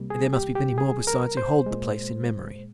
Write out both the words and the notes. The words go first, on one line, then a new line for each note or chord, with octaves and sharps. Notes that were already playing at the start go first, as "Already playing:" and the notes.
And there must be many more besides who hold the place in memory.
Already playing: C2 C3 G3 A#3
G#4
G4
G4
G#4
A#4
C5
A#2 G#3